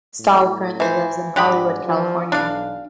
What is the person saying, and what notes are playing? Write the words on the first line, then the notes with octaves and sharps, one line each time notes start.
Stahl currently lives in Hollywood, California.
A2
E3 C5
G#2 D3 G4 B5
F3
B1 D4 F5